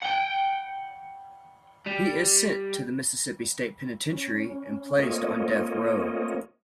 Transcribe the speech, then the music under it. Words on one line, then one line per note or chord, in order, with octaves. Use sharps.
He is sent to the Mississippi State Penitentiary and placed on death row.
F#5 G5
G3
C#4
A3 A#3 C4 F4 C#5 D#5